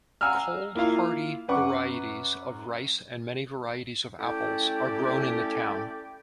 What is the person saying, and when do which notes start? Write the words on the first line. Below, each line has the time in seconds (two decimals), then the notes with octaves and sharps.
Cold-hardy varieties of rice and many varieties of apples are grown in the town.
0.21 F5 F#5 G#5 A#5 E6 F6
0.75 A#3 E4 F4 F5
1.48 F#2 B4 F#5 C#6 D6
4.20 A3 C#4 E4 G4 D5 G5